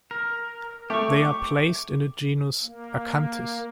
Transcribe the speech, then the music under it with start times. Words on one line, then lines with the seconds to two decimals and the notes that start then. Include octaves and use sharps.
They are placed in the genus "Acanthis".
0.11 A#4
0.90 A3 G4 C#6
1.16 D6
2.63 A#3